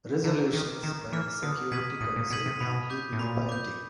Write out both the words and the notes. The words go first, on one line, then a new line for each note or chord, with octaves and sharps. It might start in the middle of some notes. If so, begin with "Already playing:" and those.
Resolutions by the Security Council are legally binding.
D3 A#5
D#3 D6 F6
D#3 A#5
E3 D6 F6
D3 D#6
B2 G#6 B6 D#7 F#7
A2 D#6
A#2
B2 G#6 B6 D#7 F#7
C3
B2 B5
D6 G6
A2
A#2 B5
D6 G6